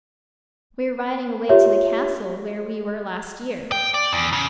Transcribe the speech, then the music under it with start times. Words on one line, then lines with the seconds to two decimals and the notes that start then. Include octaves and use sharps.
"We are riding away to the castle where we were last year!"
1.49 F4 G4 C#5 E5
3.72 G5
3.94 D5
4.13 E2
4.32 C#3